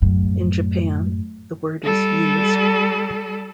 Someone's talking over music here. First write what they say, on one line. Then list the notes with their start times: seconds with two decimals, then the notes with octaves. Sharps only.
In Japan, the word is used.
0.02 F#2 A2
1.84 G3 A4